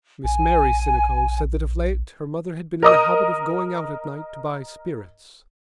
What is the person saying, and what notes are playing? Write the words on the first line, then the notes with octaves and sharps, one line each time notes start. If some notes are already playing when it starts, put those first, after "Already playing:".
Miss Mary Sinico said that of late her mother had been in the habit of going out at night to buy spirits.
A#1 G#5
A#4 D#5 D#6